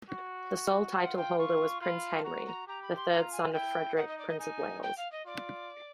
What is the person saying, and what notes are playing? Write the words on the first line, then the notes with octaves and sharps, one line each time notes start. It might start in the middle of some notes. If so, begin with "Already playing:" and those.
The sole title-holder was Prince Henry, the third son of Frederick, Prince of Wales.
F#4
F4 F#5
G5
F4 C#6
F4 B5
A5
F#4 A#5
A#5
G4 A#5
B5
C6
F4 A#5
G#5
E4 G5
D#4 F#5
D#5
D5
D#5
D#4 G#5
G5
F5
D#5
F4 D5